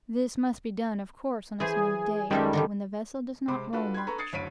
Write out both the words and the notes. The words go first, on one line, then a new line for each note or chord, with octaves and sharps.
This must be done, of course, on a smooth day, when the vessel does not roll much.
E3 G#4 C5 G#5
F#2 D#3 G3 G#3 A4 E5
D3 D#3 G3
C3 G#3 C5 B5 C6 D6
D4 F4 F#4 A4 B4
B5 C6 F#6 G#6
A4 B4 A#5 C#6
D#6 G#6 A6 C7 C#7
F#1 D2 C#5 B6 D7 D#7